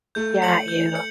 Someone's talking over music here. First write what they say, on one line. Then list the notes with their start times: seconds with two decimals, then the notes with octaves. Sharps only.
Got you.
0.15 A3 G6
0.42 C#7 F#7
0.68 G6
0.95 C#7